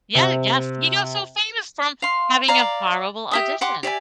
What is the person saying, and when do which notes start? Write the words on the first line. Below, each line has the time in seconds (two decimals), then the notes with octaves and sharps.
Yeah. Yes. He got so famous from having a horrible audition.
0.15 C3
2.02 F5 C6
2.48 D5 F5 A#5
3.31 G4 E5 D#6
3.61 G4 F#5 C6 D6
3.83 G4 D5 E5 G#5